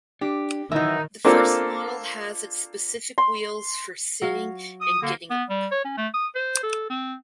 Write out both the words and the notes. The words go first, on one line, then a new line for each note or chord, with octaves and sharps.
The first model has its specific wheels for sitting and getting up.
D4 G4
D#3 E3 F#3 D#4 E5
A#3 C4 D4 F4 A4
C6
F#3 F5
D#6
D3 A#3
B3
G3
C#5
C#4
A3
D#6
C5
A4
C4